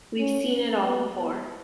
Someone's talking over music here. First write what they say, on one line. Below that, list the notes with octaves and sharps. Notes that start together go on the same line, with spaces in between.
We've seen it all before.
C#4
B3